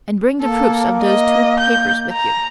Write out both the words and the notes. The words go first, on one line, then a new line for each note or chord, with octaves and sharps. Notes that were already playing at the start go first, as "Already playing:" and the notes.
And bring the proofs of those two papers with you.
A#3 A4
D#5
G6
A#5